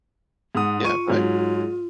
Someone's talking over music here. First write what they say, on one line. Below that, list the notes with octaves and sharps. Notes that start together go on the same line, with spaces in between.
Yeah, right?
G#2 F#5 D#6
F4 C#6 D#7
G#2 F#3